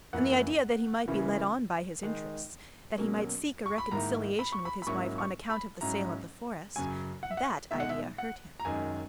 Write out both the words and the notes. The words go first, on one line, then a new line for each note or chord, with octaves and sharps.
And the idea that he might be led on by his interests, that he might seek a reconciliation with his wife on account of the sale of the forest--that idea hurt him.
F#2 E3 A#3 E4 F#5
C#3 E3 A#3 C#4 E4
D#3 G#3 D#4
B2 F#3 A#3 C#4
C#6
B5
G#2 D#3 A#3 E4 A#5
B5
C#6
B5
B5
G#2 F#3 A#3 C#4 E4 C#6
C#6
B5
G#2 F#3 C#4 E4 A#5
F#2 C#3 F#3 G#5
F#5
E5
F#5
B2 G#3 D#4 E5
F#5
E5
F#5
A#5
F#2 D#3 G#3 D#4 G#5